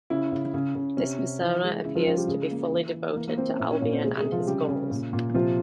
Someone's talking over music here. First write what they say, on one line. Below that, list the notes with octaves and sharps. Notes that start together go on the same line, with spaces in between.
This persona appears to be fully devoted to Albion and his goals.
C#3 E4
C#3
C#3
C#3
C3 C#4
C3
E3
G#3
C#3 E4
F3 F4
C#3 F3 F4
G3 G4
C#3 G#3 G#4
A#3
E3
E3
E3 A#3 A#4
A#3 A#4
A#3 C4 C5
C#4 C#5
A#2 E4 E5
C#4 C#5
A#2 C#4 C#5
C4 C5
C3 G#3 G#4
G#3 G#4
C3
F3 F4
C#3 G3 G4
C#3
A#2
A#2
C3 F3 F4